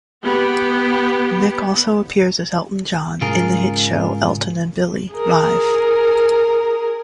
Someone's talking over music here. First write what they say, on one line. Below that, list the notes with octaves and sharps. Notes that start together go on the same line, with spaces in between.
Mick also appears as 'Elton John' in the hit show, Elton and Billy: Live.
B3 G4
G#2 C#3 F4 G#4 A#4
G#4 A#4